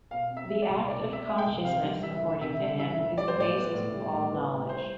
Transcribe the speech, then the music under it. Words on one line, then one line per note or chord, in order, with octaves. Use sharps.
The act of consciousness, according to him, is the basis of all knowledge.
B2 F5
C4
E5
A3
D5
C2
B2 D5
C4
E5
A3
G5
C2
C3 F5
G3
E3 E5
D2
C3 E5
G3
E3 E5
D2
G3 D5
C5
A2 D5
B3
A2
G3
A2
B3
A2
G3 C5